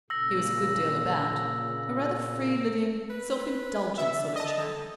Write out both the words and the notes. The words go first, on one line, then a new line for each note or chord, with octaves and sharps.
He was a good deal about--a rather free-living, self-indulgent sort of chap.
A#2 C#3 E6 A#6
B4
B2 E5
D4
D#5 A5
A4